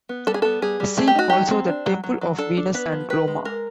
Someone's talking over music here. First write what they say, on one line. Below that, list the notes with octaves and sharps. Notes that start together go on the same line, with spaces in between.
See also the Temple of Venus and Roma.
B3
G3 A4
G#4
B3 A4
G3 G#4
G3
A3 G#4
G4
D#4 F#4
F#3 G4
C4
D4
F#3
F#3
F#3
D4 A4
D4
B3 B4
F3
D#3 B4
G#3
G#3 A#4